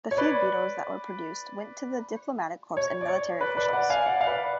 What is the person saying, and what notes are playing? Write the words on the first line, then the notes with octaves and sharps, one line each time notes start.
The few Beetles that were produced went to the diplomatic corps and military officials.
C#5
B4 D5
C#5
D5
C#5
B4 D5
B4 D5
D5 F#5
F5 G#5
D5 F#5
F5
B4 D5